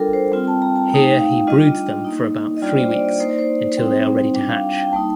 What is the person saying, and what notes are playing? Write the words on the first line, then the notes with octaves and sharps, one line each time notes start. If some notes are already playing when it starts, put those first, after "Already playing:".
Here he broods them for about three weeks until they are ready to hatch.
Already playing: G3 D4 F4 A4 A#4
C5
G3 C4 F4 G5
A5
A#5
A5
A3 D#4 G5
F5
G3 D4 F4 D#5
A#3 D#4
D#5
G3 A#3 D4 F4 D5
C5
D5
D#5
A#3 D#4 C5
D5
C5
G3 C4 D#4
G3 D4 F4 G5
F5
G5
G3 A#3 D#4 A5